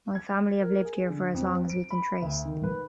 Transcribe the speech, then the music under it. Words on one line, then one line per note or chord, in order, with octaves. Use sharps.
My family have lived here for as long as we can trace.
G#6
A#4
G#4
D3
F2
D7
B5
D2
D#3
B4